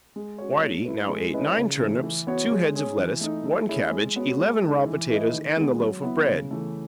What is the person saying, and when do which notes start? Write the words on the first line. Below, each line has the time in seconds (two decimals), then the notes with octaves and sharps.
Whitey now ate nine turnips, two heads of lettuce, one cabbage, eleven raw potatoes and the loaf of bread.
0.16 G#3
0.38 C#4 F#4 C#5
0.63 A3
0.85 E4 B4
1.09 G#3
1.34 C#4 E4 B4 D#5
1.56 C#3
1.80 E3 A3
2.04 E3
2.27 B3 F#4 C#5
2.51 G#3
2.75 C#4 G#4
2.97 E3
3.21 A3 D#4
3.45 A3
3.69 C#4 E4 G#4
3.91 G#3
4.16 B3 F#4 C#5
4.39 G#3
4.63 D#4 A4
4.86 E3
5.10 A3 E4 B4 D#5
5.33 D#3
5.57 G#3 B3
5.80 F#3
6.03 B3 E4
6.27 C#3
6.51 E3 A3